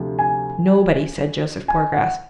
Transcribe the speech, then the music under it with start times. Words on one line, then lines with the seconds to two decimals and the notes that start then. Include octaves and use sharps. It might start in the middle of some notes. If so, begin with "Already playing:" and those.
"Nobody," said Joseph Poorgrass.
Already playing: D2 C3 F3
0.19 G#5
1.68 G#5
1.93 F#5